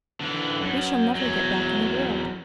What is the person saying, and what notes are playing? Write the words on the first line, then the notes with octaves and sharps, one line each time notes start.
We shall never get back in the world!
D3 E3
F#2
E2 F#3